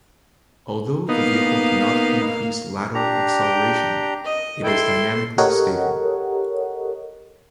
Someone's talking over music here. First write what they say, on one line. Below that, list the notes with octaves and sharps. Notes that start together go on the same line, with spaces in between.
Although the vehicle cannot increase lateral acceleration, it is dynamically stable.
A#3 B3 D#4 F5
D4 G4 A#5
G5
D#5
E4 A4 G5 C6
G4 A4 A#4 C#5 D#5 F#5